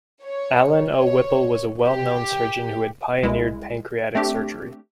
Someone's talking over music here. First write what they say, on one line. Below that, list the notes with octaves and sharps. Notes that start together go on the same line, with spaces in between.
Allen O. Whipple was a well-known surgeon who had pioneered pancreatic surgery.
C#5
C#5
G4
C2 G#3 E4
A3 C4 D4 G4